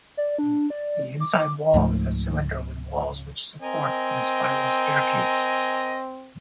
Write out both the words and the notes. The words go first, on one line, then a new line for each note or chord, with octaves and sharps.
The inside wall is a cylinder with walls which support the spiral staircase.
D5
D4
D5
D6
C#2 G#2 F3 A3
C4 A#4 D#5 G#5